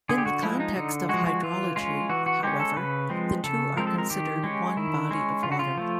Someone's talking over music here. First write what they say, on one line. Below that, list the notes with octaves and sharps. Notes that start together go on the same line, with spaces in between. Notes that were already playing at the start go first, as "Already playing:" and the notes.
In the context of hydrology, however, the two are considered one body of water.
D3 G#4
G4
F#4
F3 G#3 E4
D#4
D3 D#4
F3 G#3 F#4
F#4
E3 F4
G#3 C#4 F4
E3 F#4
F#4
G#3 C#4 G4
A4
C#3 B4
F3 G#3 C4
C#3 A4
F3 G#3 C4 A#4
A4
A#4
D#3 G4
G#3 C#4
D#3 E4
G#3 C#4
C#3 F4
F#4
F4
F3 A3